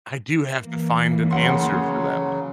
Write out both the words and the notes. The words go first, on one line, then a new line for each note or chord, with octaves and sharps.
I do have to find an answer for that one.
E3 A#3
C#3 F#3 F#5 C6